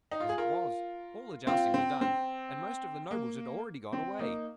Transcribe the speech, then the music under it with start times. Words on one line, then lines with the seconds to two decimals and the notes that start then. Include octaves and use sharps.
As it was, all the jousting was done, and most of the nobles had already gone away.
0.12 D#4
0.20 F4
0.29 G#4
0.38 F4 A#4
1.47 C4 F4
1.74 C4
2.01 C4
3.11 A#3
3.93 C4
4.19 A#3 D#4